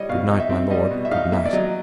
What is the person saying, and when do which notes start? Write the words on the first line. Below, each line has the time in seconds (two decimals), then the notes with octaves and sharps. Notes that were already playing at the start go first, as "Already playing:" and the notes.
Good night, my lord, good night.
Already playing: G3 C#5 D#5
0.09 B2 F5
0.30 D#4
0.40 E5
0.50 C4
0.70 G3 D#5
0.91 B2
1.05 E5
1.11 D#4 F5
1.32 A#3 E5
1.46 D5
1.53 F#3 D#5